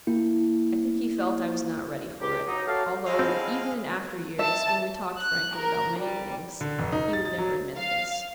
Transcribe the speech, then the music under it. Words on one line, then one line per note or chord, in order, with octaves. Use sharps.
I think he felt I was not ready for it, although even in after years, when we talked frankly about many things, he would never admit this.
A#3 E4
C#2 G4
F#3 D#4
F#3 A3 F#4 A4 D5 F5
D3 G3 G#3 F5 B5 E6
C4
G#5
E5 A5
F#6
A#4
G3
D3
F1
D#4
A6
A6
F#3
F5